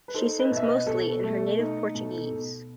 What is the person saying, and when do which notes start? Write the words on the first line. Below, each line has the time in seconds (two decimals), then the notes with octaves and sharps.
She sings mostly in her native Portuguese.
0.08 B4
0.14 D#4 A4 C5
0.39 B4 D#5
0.51 B2
0.57 E5
0.63 B4 D#5
0.86 B2 A4
1.24 A3
1.59 D#4
1.95 B2
2.31 B2